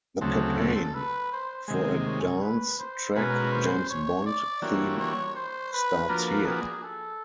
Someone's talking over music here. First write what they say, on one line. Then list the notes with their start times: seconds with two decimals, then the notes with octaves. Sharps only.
The campaign for a dance track James Bond theme starts here!
0.21 D2 C#3 F#3 A3 C4 G#4
0.58 A4
0.94 B4
1.32 C5
1.68 C3 D#3 G#3
2.06 C#5
2.42 B4
2.79 C5
3.15 B2 G#3 C#4 F#4 A#4 B4
3.52 C5
3.89 C#5
4.26 D5
4.62 E3 G3 A#3 D4 F#4 C#5
4.99 C#5
5.35 C5
5.73 B4
6.09 F3 A#3 D4 F#4 A#4 B4
6.46 G#4
6.83 A4